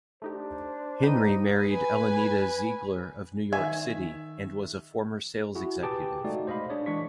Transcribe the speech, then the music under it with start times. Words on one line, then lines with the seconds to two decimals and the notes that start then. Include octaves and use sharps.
Henry married Elenita Ziegler of New York City and was a former sales executive.
0.22 A3 D4 D#4 G4 C5
1.03 D#4 B4 G5 D#7
1.55 B4 G#5
3.53 D#3 E5 G#5
5.55 E4 F#4 G#4
5.83 G4 G#4 B4 G5 A5 D6
6.24 G#3 A3 D#4 F#4 D5
6.47 C5 D#5 F5 B5
6.70 D4 G#4 C#5 D5
6.86 E3 G#3 D4 C#6 B6